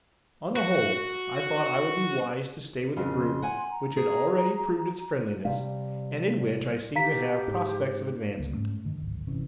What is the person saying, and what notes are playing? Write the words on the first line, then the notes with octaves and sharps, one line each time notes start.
On the whole, I thought I would be wise to stay with a group which had already proved its friendliness, and in which I seemed to have prospects of advancement.
F#4 F#5
F2 C#3 A#3
C6
F#5 G#5
A#5
G#4
C3 G3 F5
G4 F5 A#5 B6
G#2
C#2 D3 G3 A#3
G#2 A3 C#4
F#2 D3 D#3
D1 G#1
G1 C3 E3 C#4